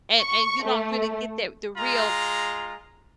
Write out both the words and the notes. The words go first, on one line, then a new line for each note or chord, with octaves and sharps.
and and you don't really get that the real
C#6
A3
G#3 F4 A#5